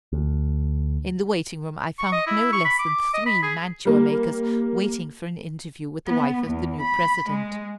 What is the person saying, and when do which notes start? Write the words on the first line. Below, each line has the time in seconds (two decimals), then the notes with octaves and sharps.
In the waiting-room I found no less than three mantua-makers waiting for an interview with the wife of the new President.
0.13 D2
1.99 C#6
2.13 D#5
2.27 E4
2.53 C#6
2.65 B5
2.79 D6
3.14 D#5
3.26 B5
3.43 G#4
3.85 G3 A#3
6.07 B3
6.48 E2
6.82 B5
7.30 G#3